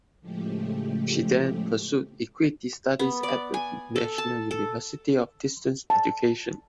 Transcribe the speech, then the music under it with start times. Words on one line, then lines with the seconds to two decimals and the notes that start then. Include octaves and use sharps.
She then pursued equity studies at the National University of Distance Education.
0.21 A2 C#3 F3 G#3 A3 G4
2.99 B3
3.23 D5
3.54 G#5
3.96 A4
4.18 A5
4.51 A4
5.90 A5